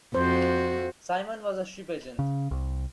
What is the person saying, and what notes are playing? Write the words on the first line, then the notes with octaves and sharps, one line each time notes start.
Simon was a ship agent.
F2 F#4 C5
C#3
C2